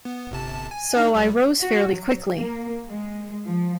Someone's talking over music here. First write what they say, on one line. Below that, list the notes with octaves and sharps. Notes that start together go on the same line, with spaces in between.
So I rose fairly quickly.
B3
G1 C3 A5
G#5
D4 D#4
C#2 G3
F#4
F#3
A#3
G#3
F3